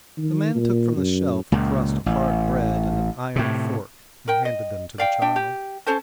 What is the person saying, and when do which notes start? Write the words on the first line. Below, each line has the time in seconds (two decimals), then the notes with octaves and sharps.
The man took from the shelf a crust of hard bread and an iron fork, and handed them to the child.
0.18 D#3
0.55 A#2
0.96 F#2
1.52 C#2 A#2
2.06 A1
3.36 A2 C3
4.28 A#4 G5
4.45 D#5
4.98 D5 F5 G5
5.22 D4 E5 G5
5.36 G4
5.87 C#4 A4 C5 A5